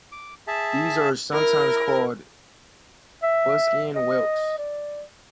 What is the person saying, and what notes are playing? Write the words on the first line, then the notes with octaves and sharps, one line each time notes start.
These are sometimes called "Busycon whelks".
D6
G#4 E5 A5
E4 A#4
E5
D#5
D5